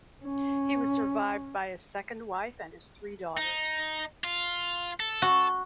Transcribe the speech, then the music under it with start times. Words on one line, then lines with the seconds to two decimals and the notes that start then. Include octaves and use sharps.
He was survived by his second wife, and his three daughters.
0.25 C#4
3.37 D#4
4.24 F4
5.00 A4
5.22 F#4